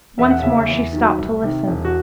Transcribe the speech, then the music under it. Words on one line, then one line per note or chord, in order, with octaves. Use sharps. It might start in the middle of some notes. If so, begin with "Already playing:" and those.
Once more she stopped to listen.
E1 E5
F#5
D#2 C#3 E5
E2
D#3 F#3
C2
C3 D#3
E1
F#4